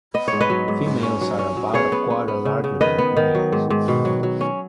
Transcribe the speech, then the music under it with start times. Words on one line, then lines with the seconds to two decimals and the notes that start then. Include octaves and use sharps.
Females are about a quarter larger than males.
0.14 B3 D#5
0.28 C#5
0.33 G#2
0.41 B4 D#5
0.50 F#3
0.68 G#2
0.86 G#2
1.03 C#4
1.21 F#3
1.39 C#4
1.57 F#3
1.73 B3 G#4 C#5
1.92 B3
2.10 B3
2.28 B3
2.45 C#3
2.64 C#3
2.81 D#3 B4 D#5
2.98 B3
3.17 D#3
3.35 F#3
3.52 G#2
3.70 G#2
3.88 B2
4.05 F#3
4.23 F#3
4.41 C#4